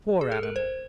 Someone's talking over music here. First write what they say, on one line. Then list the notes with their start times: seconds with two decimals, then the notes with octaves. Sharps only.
Poor animal!
0.21 G#4
0.32 A4
0.43 A#4
0.56 C5